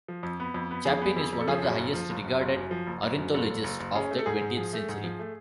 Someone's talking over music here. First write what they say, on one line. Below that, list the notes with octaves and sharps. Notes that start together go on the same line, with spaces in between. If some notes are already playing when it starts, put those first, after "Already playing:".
Chapin is one of the highest-regarded ornithologists of the twentieth century.
F3
F2
B3
F2
B3
F2 G#4
B3
F2
F2
A4
F3 G#4
F#2
F#1
F3
F#1
F#2
F#1
F#2
F3
F#1
F#1
F#2
F#1 A4
F#1
F#1
F#1
C#4 G#4
A3
A4
G#2 G#4
G#2
F3 G#4
A3
G#2
F3
A3